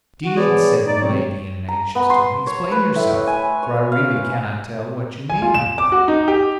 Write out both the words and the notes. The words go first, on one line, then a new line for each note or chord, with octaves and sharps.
"Indeed!" said Milady, in an anxious tone; "explain yourself, for I really cannot tell what you mean."
F#4
E3 F3 B3 G#4 C#5 D5
D#4 D5
B2 D#3 F#3 A3 C4 C#5
A#5
B3
C6
C#5
B4
A2
G#5
C#5
F5
G#5
F4
E7
D6
F#4
D#4
G4